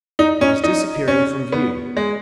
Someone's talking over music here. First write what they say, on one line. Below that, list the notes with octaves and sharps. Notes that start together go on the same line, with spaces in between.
It was disappearing from view.
D#4
C#4
D#4
C#4
B3
G#3